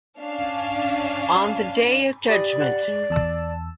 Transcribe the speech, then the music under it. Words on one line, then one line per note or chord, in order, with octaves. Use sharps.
On the day of judgment.
C#4 D4 F5
G4 D5 B5 D#6
G4 F#5
G#3
E2 A5 E6